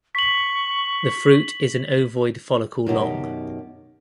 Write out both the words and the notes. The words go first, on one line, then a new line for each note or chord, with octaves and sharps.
The fruit is an ovoid follicle long.
C#6 B6 F#7
F#2 B2 D#3 G4